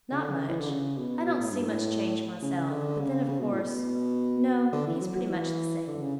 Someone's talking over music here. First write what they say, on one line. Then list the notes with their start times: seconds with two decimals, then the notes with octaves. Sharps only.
'Not much; I don't see much change, myself, but then of course-- No, he's pretty much the same.'
0.11 C#3
0.21 D3
0.31 C#3
0.49 E3
0.59 D3
0.70 C#3
0.98 B2
1.27 B2
1.40 A2
1.52 G2
1.67 A2
2.42 C#3
2.71 D3
3.00 C#3
3.28 C#3
3.39 B2
3.51 A2
3.62 B2
4.72 D3
4.87 E3
5.01 F#3
5.15 F#3
5.30 E3
5.87 D3
6.02 C#3